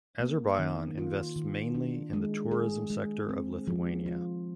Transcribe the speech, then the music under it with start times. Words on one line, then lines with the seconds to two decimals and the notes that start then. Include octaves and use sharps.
Azerbaijan invests mainly in the tourism sector of Lithuania.
0.20 A#3
0.59 D#3
0.98 F4
1.36 D#3
1.75 D4
2.13 G#3
2.51 G#4
2.90 G#3
3.29 C4
3.68 F3
4.06 F4